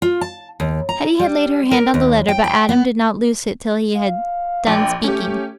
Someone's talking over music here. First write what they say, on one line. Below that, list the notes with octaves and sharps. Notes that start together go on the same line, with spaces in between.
Hetty had laid her hand on the letter, but Adam did not loose it till he had done speaking.
F4
A5
D#2
A#5
G3
A#4
D#2
G5
G5
B3
F5
A#1 G5
A3 C#4 G4